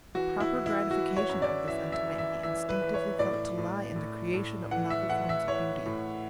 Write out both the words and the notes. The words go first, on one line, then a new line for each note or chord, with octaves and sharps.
The proper gratification of the sentiment he instinctively felt to lie in the creation of novel forms of Beauty.
E3 F#4
E4
E3
E4
E3 F#4
C#5
F#2
D5
E3 E5
E5
E3
E5
E3 E5
B4
E3
C#5
A2 D5
A2
A2
A2
E3 F#5
E5
E3 F#5
E5
E3 C#5
A2